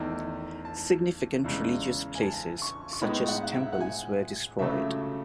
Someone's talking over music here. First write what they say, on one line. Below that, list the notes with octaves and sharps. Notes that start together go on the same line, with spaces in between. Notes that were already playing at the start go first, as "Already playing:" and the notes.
Significant religious places such as temples were destroyed.
Already playing: E2 D#3 A3 D#4 A5
A5
E2 C#3 G#3
G#5
A5
C#6
C#6
A2 G#3 B3 D#4 B5
F#5
F#5
E5
F#5
G#5
C#2 C#3 F#3 A3 E5